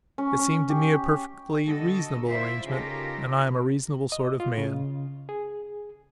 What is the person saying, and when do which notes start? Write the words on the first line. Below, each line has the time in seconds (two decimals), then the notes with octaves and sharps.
It seemed to me a perfectly reasonable arrangement and I am a reasonable sort of man.
0.18 C#4
0.39 C#4
0.70 G4
1.66 D3 F#4 A4 D#5
2.28 E4 F4 C5 D5 E5
2.66 C#3 D#4 F4 G4 A4 A#4
4.12 D#5
4.40 F4
4.58 C#3
5.29 G#4